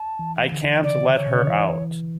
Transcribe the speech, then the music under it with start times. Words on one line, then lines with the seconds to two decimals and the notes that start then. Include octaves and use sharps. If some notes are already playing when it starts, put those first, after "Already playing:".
I can't let her out.
Already playing: A5
0.19 E3
0.52 D3
0.84 C#3 D5
1.16 C#5
1.27 B2
1.34 C#3
1.41 D3
1.48 E3